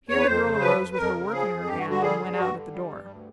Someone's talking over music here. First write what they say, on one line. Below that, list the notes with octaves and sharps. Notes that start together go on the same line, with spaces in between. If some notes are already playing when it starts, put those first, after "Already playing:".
Here the girl arose with her work in her hand, and went out at the door.
E2 C#5
B4
F2 C5
C#3
F3 B4
F2
F2 A#4
C#3
F3 G#4
F2
G2 G4
F#4
D3
F#4
G3 G#4
G2
G2 F#4
D3
G3
G2
D2